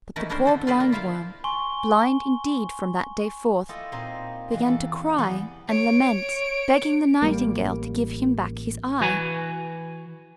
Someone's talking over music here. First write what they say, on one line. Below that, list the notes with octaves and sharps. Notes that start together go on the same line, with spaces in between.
But the poor Blindworm, blind indeed from that day forth, began to cry and lament, begging the Nightingale to give him back his eye.
D#3 E3 A3 C#4 D#4 E4
C#4 D4 E4 A#4 C5
D3 A4 C5
F4 G4 A4 B4 C5 D5
A#3
E4 F4 E5 F5
G#5 C6 C#6 G7
E4 F4 G4 A4 D#5
A#2 C4 D#4 D#5 C6
E3 G#3 F4
E2 A4
E2 G3 B3 G4 B4 G#5
C#5 D7
A1 G3 A#3
E3 F#4 B4 G#5